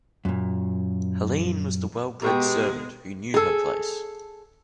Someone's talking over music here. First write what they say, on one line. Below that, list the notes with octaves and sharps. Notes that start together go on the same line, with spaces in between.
Helene was the well-bred servant who knew her place.
F#2 A#2
B2 G#3 B3 G4 A#4 C#5 G5
G#4 A4